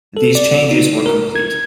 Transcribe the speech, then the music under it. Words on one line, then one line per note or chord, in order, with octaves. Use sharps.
These changes were complete.
A4
D5
D#4
A#4
G#6